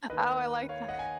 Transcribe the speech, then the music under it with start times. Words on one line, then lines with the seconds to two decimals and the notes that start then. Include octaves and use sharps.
Oh, I like that.
0.10 D#2 D#3 B4 D#5
0.69 C#5 F5
0.88 D#5 F#5
0.99 G#5